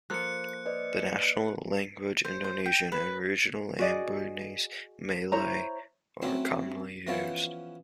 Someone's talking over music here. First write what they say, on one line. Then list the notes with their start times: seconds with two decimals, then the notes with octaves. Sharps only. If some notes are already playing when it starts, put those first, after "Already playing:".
The national language Indonesian and regional Ambonese Malay are commonly used.
0.10 F3 A#3 A4 F#6 C#7
0.66 B4 D5 D#5
2.25 C5
2.44 C5
2.66 G5
2.92 B4
3.79 F#4 G#4 D5 D#5
5.32 E4 C5 C#5 A#5
6.22 F#3 A3 C4 C#4 E4
7.07 E3 F3 B3 C#4 E4